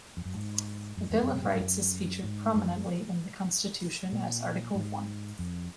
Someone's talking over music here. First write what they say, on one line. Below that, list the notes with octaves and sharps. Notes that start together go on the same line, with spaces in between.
A bill of rights is featured prominently in the constitution as Article One.
F2
F#2
G#2
F#2
F2
F#2
B2
A#2
G#2
F#2
G#2
F#2
A#2
G#2
F2